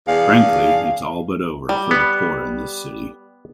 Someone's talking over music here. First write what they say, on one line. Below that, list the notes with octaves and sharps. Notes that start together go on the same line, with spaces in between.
Frankly, it's all but over for the poor in this city.
E2 D4 G#4 F5
G3
B3